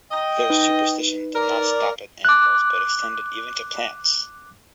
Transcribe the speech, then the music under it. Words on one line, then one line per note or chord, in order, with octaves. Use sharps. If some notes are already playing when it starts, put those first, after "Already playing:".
Their superstition did not stop at animals but extended even to plants.
D#5 G5
D#4 B4
A#4 D5
D6 F#6